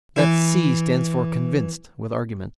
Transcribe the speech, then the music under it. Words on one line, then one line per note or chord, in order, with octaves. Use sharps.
That 'C' stands for 'convinced,' with argument.
E3 E4